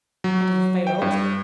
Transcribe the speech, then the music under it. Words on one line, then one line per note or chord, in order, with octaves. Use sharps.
Had he failed?
F#3
G5
G2